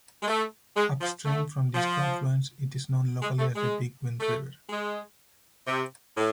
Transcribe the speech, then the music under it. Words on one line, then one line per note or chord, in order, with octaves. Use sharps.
Up stream from this confluence, it is known locally as the Big Wind River.
G#3
A3
G#3
F3
A3
F3
G#3
A3
G#3
A3
G#3
C3
A2